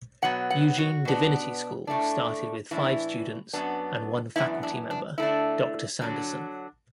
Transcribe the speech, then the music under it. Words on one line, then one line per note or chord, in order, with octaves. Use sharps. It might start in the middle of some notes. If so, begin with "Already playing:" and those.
Eugene Divinity School started with five students and one faculty member, Doctor Sanderson.
B2 F#3 B3 F#5
F#5
F#4
B2 B3 D4
A2 A3 D4
A2 E3 D4 E4
F#2 F#3 B3 D4
F#2 E3 B3 D4 E4
D4
D4
D3 A3 D4 E4
D3 F#3 D4